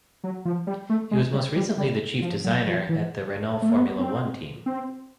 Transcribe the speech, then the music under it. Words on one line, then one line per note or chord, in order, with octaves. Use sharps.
He was most recently the chief designer at the Renault Formula One team.
F#3
F3
G3
A3
G#3
G3
G3
G3
F3
F#3
F3
E3
A3
A#3
B3
C4
C4